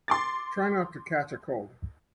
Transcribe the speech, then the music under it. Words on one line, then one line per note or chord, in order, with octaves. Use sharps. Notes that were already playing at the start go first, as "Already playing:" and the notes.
Try not to catch a cold.
C6 D6 A6